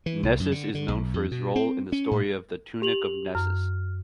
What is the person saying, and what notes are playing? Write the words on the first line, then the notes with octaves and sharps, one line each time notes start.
Nessus is known for his role in the story of the Tunic of Nessus.
E3
C2
F#2
D3
D3
B1
F2
B2
C4
C#4
A2
G4 F7 F#7
F#2 F6